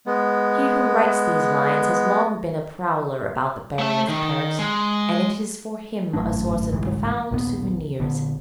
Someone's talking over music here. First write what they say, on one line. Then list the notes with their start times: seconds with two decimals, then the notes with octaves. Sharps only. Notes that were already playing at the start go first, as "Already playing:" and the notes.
He who writes these lines has long been a prowler about the barriers of Paris, and it is for him a source of profound souvenirs.
0.06 G#3 B3
3.79 A3 E5
4.08 D#3
4.59 G#3
6.13 G#1 F#2 A2 D4
6.70 G1 C2 G#2 E3
7.31 A#1 D#2 B2 B3
8.00 A#1 D3 B3